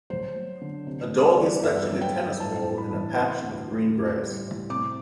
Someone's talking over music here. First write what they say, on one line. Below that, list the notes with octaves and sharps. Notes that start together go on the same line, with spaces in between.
A dog is fetching a tennis ball in a patch of green grass.
F#3 C5
F#3
D3
C3
G3
D5
E2
G2 E5
F#3
G5
G2
A2 A5
A2
B5
E3
C3 C6
D2
D2
A2
G3
A2
C3 D6